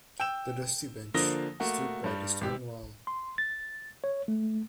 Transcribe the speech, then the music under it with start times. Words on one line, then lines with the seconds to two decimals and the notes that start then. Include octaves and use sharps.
The dusty bench stood by the stone wall.
0.20 G5 E6 E7
1.14 D3 F3 A#3 D#6 A#6 G7
1.60 A3 A#3 F#4
2.04 G2 G3
2.41 G#1 G4 E6
3.07 C6
3.38 A6
4.04 C#5
4.28 A3